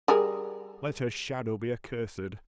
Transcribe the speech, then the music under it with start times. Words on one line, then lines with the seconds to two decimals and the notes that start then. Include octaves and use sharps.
Let her shadow be accursed.
0.08 G3 G#4 A#4